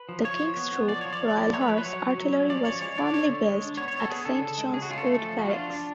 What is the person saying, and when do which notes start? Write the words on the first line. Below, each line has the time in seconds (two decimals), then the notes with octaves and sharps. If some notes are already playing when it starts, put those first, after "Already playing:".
The King's Troop, Royal Horse Artillery was formerly based at Saint John's Wood Barracks.
Already playing: B4
0.09 F3
0.24 F3 C#5
0.41 F3
0.57 B3
0.73 B3
0.88 F3 D5
1.01 F3 C#5
1.13 D5
1.21 F3
1.37 F3
1.53 A3 C#5
1.61 B4
1.69 F3
1.78 B4
1.85 F#3 C#5
2.01 F#3
2.18 F#3
2.33 C#4
2.50 F3 D5
2.65 F3 C#5
2.81 G#3 C#5
2.98 D4 D5
3.13 D3 C#5
3.30 D3
3.45 G#3
3.62 D4
3.77 B3 C#5
3.88 C#5
3.94 B3
4.00 A4
4.09 B3 G#4
4.25 D3 A4
4.42 C#3
4.58 G#3
4.73 C#3 G#4
4.82 F#4
4.90 C#4 F4
4.97 A4
5.06 A3
5.23 F3
5.39 F3 F#4
5.50 D4 F4
5.70 D4